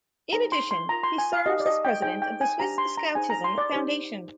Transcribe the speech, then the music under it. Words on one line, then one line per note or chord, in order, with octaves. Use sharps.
In addition, he serves as president of the Swiss Scoutism Foundation.
D#4 G#4 C5 A#5
C6
C6
F4 A#4 A#5
C6
G#5
F5
D#4 G4 A#4 D#5
D5
D#5
G5
D#4 G#4 C5 G5
G5
G#5
D4 G4 C5 A#5
C6
A#5
D#4 G#4 C5 G#5
A#5
C6
D5
D#4 G4 C5